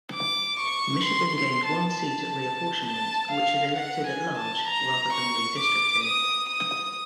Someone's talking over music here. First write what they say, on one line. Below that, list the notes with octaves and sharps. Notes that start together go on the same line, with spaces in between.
Michigan gained one seat at reapportionment, which it elected at-large rather than redistricting.
D6
C#6
C6
C6
A5
A5
A5
F5
F#5
G#5
A5
A#5
C#6
D6
D#6
D#6